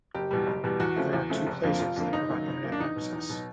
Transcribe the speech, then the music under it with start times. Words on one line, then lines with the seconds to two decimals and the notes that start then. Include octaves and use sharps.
There are two places that provide Internet access.
0.14 F#1 G4
0.31 E2 B2 G3
0.47 F#1
0.64 E2 B2 G3
0.80 E2 F#4
0.96 C#3 F3 A3
1.13 E2
1.30 C#3 F3 A3
1.47 F1
1.63 F2 D3 F3 A#3
1.80 F1 F4
1.96 F2 D3 F3 A#3
2.13 G1 D#4
2.30 F#2 D#3 F#3 A#3
2.47 G1
2.64 F#2 D#3 F#3 A#3
2.72 D4
2.80 E2 D#4
2.96 B2 F#3
3.13 E2
3.30 B2 F#3